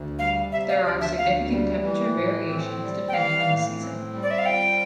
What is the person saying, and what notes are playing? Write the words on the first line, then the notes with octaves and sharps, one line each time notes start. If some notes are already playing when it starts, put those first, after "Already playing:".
There are significant temperature variations depending on season.
Already playing: D2
G3 F5
C3 E5
F5
D2 D5
E5
D2 F5
G3
E3
A2
C4
G3
G5
E3 F5
A2
C4
G3
D5
E5
F5
F3 G5